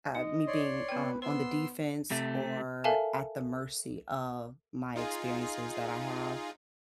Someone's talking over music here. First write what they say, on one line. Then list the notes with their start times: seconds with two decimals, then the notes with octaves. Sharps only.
uh, me being, um, on the defense or at the mercy of my experiences that I have,
0.15 D#4 D#5
0.47 C#5 D5 C6
0.89 B3 B4 G5
1.22 B3 C5 C6 E6
2.11 C3 A3
2.84 A4 A#4 E5 F5 G#5 A5
4.96 D#4 F4 G#4